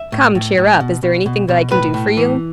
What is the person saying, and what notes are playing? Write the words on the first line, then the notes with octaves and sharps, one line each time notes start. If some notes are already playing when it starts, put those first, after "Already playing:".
"Come, cheer up; is there anything that I can do for you?"
Already playing: E5
A2
A2
A2
B2
B2
B2
B2
A2 B4
A2
E3